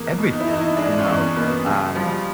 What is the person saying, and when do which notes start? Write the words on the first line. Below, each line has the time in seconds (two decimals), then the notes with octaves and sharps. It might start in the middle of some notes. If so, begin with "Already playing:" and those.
everything, you know? Um,
Already playing: E2 A#3
0.18 B2
0.33 D#4
0.40 E4
0.47 E2 D#4
0.54 E4
0.61 D#4
0.77 G#3 D4
0.99 C#4
1.07 E2
1.21 C#4
1.36 B2 A#3
1.43 B3
1.65 C#3 F#3
1.95 F3 G3